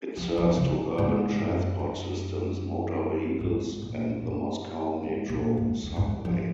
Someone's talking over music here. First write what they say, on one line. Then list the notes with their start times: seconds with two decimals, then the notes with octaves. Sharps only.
It serves two urban transport systems: motor vehicles and the Moscow Metro subway.
0.17 F3
0.38 F3
0.57 C#3
0.98 G#2
1.38 F#2
1.79 F#2
3.40 G#2
3.61 G#2
3.82 A#2
4.02 A#2
4.22 F#2
5.03 G#2
5.29 A#2
5.57 G#2
5.83 F2
5.96 G#2
6.04 F#2
6.25 F3